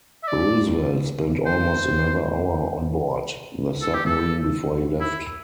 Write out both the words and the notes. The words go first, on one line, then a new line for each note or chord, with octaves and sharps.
Roosevelt spent almost another hour on board the submarine before he left.
E5
D5
C5
A4
G4
A4
E4